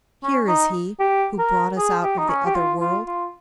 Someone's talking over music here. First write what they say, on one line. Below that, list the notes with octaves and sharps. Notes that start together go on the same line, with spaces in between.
'Here is he who brought us out of the other world.
C#4
D#4
G4
A#4
G#4
G4
D#4
C#4
G4
F4
F4
F4